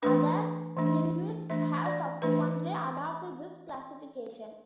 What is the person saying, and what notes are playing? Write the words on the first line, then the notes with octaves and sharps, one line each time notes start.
Other linguists have subsequently adopted this classification.
E3 A3 D4 B4
E3 A3 D4
E3 A3 D4 E5
D5
E3 A3 D4 B4